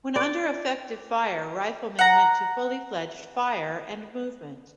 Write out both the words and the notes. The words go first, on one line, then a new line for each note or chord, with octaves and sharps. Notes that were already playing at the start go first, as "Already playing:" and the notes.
When under effective fire, riflemen went to fully fledged "fire and movement".
D5
F#5 A#5